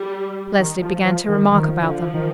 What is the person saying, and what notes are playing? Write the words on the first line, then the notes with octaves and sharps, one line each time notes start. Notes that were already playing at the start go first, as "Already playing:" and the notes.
Leslie began to remark about them.
Already playing: G3
D#3
F3
F3
D#3
D#3 F3
D3
D#3